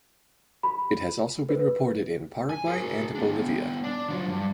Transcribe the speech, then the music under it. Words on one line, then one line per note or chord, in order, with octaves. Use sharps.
It has also been reported in Paraguay and Bolivia.
B5
B4
G#5
G#4 A#4
B3 D4
D4
F#3 F4
G2